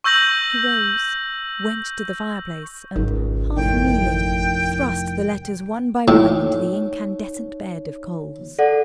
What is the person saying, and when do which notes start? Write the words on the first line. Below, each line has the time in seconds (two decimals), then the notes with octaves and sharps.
She rose, went to the fireplace and, half kneeling, thrust the letters one by one into the incandescent bed of coals.
0.04 C#6 E6 G6 A#6 F#7
2.96 G#1 C#2 G#2 D#3
3.57 F1 A2 D#3 G5
6.08 A2 D#4 C#5
8.59 A4 D5 F#5